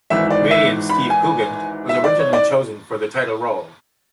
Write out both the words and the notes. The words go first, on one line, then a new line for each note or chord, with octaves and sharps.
Comedian Steve Coogan was originally chosen for the title role.
G#1 G#2 E3 E5
D5
E5
B5
G#5
E5
D5
C#5
D5